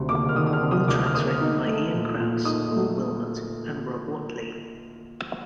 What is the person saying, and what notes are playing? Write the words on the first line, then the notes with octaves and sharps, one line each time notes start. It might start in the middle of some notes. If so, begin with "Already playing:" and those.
All tracks written by Ian Crause, Paul Wilmott and Rob Whatley.
Already playing: D2 C3 D#3
A#3 D6
F6
D#3 D#6
D#6
F6
C3
D#6
D2 D6
F6
A#3 D#6
D#4
A3
A#2
A#2
D#4 D#6
A3